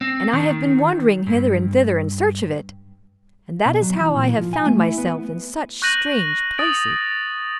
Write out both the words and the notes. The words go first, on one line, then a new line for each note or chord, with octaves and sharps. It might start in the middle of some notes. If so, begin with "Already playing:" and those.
And I have been wandering hither and thither in search of it, and that is how I have found myself in such strange places.'
C4
D#3
G2
B2
F#3
E3
A#2
F3
G#5
A3
E4
B3
C#6 F#6 G6 A#6 D#7 F#7
D#6 A6 D7 F#7